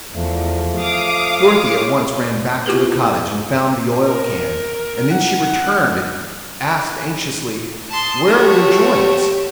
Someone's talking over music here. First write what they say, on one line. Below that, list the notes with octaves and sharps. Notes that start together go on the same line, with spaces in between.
Dorothy at once ran back to the cottage and found the oil-can, and then she returned and asked anxiously, "Where are your joints?"
E2 F3 A3
F5 D6 D#6
C#5
B3 E4 F4 G4 G#4 B4
A#4
F#5
A5 C6 D#6
A3 F#4 G4 C#5